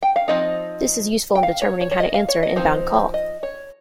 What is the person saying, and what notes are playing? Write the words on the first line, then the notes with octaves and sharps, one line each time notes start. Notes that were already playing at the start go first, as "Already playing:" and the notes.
This is useful in determining how to answer an inbound call.
G5
F5
F3 C4 D#4 D#5
G5
F5
C#5
C#5
C#5
D#5
F5
C#5
D#5
F3 C4 D#4 C5
D#5
C#5